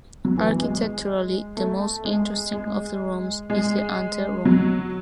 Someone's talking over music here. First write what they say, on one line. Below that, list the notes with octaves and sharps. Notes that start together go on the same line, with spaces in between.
Architecturally, the most interesting of the rooms is the ante room.
F#3
E3
F#3
G#3
A3
G#3
G#3
G#3
F#3